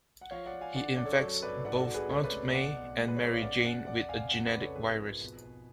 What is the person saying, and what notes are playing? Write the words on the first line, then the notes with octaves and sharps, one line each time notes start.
He infects both Aunt May and Mary Jane with a genetic virus.
F#5
F3 C#5 F5
D5 F#5
F3
F5 G#5
D3 D5 F#5
F#2 D5
A4 C#5
F#3 A4 C#5
G#1 B4 D5
G#2 D5 F#5
F#4 A4
G#1
G#4 B4
C#2 A4 C#5
B4 D5
A3
B1 D5 F#5
B1
G#3
B4
B1 C#5
D5
F5
F#2 D5 F#5
F#2 D5 F#5
F2 D5 F#5
F2 F5 G#5
C#2 D5 F#5
B4 D5
C#3
A4 C#5
G#1 G#4 B4
F3
B2
B2